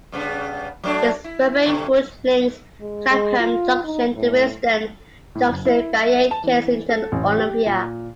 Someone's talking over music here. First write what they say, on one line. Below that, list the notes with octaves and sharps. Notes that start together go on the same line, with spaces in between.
This railway route links Clapham Junction to Willesden Junction via Kensington Olympia.
G2 C#3 B3
F#3 A3 D4
E4
G2 B2 D3
G#3
G#3
F4
D#4
A2
A2
F#1
E4
E5
A5
E3
A4
A1
G4
A#2